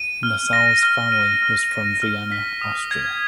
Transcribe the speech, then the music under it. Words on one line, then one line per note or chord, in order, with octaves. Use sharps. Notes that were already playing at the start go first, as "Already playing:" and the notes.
Nossal's family was from Vienna, Austria.
Already playing: D#7
F6
A#6
F6
D#7
F6
A#6
F6
B6
D#6
G#6